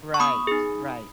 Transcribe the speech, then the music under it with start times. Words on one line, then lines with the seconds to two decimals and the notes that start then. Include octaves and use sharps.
Right, right.
0.14 C#6
0.20 B3 B5 D#6
0.47 D#4 G#4